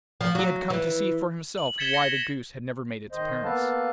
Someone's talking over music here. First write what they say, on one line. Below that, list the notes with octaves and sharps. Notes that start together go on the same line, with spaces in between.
He had come to see for himself why the goose had never made its appearance.
F3
F#3
E3
F#7
G#6 A6 B6 C#7 E7 G7
A#6 C#7
D#3 C5 D#5
A#3 B3 A4 B4 F5 A5